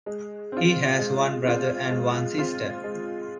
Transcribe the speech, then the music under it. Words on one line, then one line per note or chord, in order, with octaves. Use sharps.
He has one brother and one sister.
G#3
C4 F4
G#3
C4 F4
G#3
C4 F4
G#3